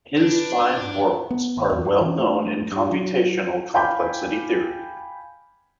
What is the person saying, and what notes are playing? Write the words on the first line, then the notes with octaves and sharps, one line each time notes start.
His "five worlds" are well known in computational complexity theory.
D4 B4
B3
A1
E2
G2
E3
A3
G2
F#3
F5 G5 G#5 B5 D6 G6